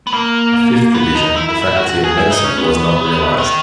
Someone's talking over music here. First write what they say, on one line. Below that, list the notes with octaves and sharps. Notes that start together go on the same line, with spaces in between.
A fifth division, the Faculty of Medicine, was not realized.
B3
A#3
B3
D#4
E4
E4
E4
F#4
F#4
G#4
E4
D#4
C#4
B3
D#3